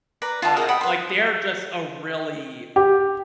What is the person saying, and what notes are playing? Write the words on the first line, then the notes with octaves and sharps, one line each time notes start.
uh, like, they're just a really
B4 D5 A#5
F4 B4 A5
F#4 G#4 A#4 D#5
F#5 G5 B5 D#6
B4 C6
G4